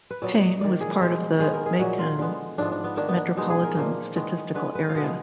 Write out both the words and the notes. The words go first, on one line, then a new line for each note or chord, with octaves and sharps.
Payne was part of the Macon Metropolitan Statistical Area.
B4
A#2 F#3 B3 D5
D#5
D#3 A#3 D5
G#4
B2 G#3 B3
D#3 G#3 B3 G#4
A#4
G#4
A#2 F#3 A#3 F#4
F4
D3 G#3 B3
G#2 F3 B3 D4
D4
B3
D#3 A#3 D4
B3
D4
B2 G#3 B3 D#4
G#4
A#4
A#2 F3 A#3
D#3 G#3 B3
D3 G#3 B3 B4
B4
F5
B2 G#3 B3 D#5